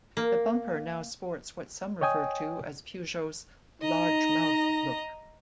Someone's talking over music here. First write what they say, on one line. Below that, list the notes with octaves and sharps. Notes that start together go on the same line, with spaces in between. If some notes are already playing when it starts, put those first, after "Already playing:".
The bumper now sports what some refer to as Peugeot's "large mouth" look.
A#3
C#5 D#5 G5 G#5 D#6
D#4 D#5 A#5